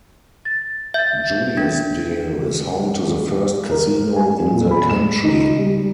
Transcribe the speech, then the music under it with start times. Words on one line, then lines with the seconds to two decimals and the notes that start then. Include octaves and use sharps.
Juliasdale is home to the first casino in the country.
0.45 A6
0.94 E5 G6 A6
1.57 D4
3.71 A#4
4.16 G#5
4.51 A#2
4.71 B5
4.90 E7
5.24 D#4
5.58 G3